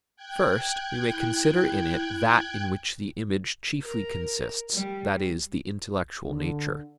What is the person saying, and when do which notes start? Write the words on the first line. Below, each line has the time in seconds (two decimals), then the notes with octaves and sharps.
First, we may consider in it that in which the image chiefly consists, that is, the intellectual nature.
0.16 G5 F#6 G#6
1.11 E4
3.84 A#4
4.72 G3
6.26 D3